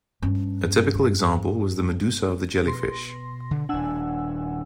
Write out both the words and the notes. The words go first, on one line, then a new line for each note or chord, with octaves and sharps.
A typical example was the medusa of the jellyfish.
G2 C#4
B2 C6 A#6
D3
D#1 D4 F#5 G#5 E6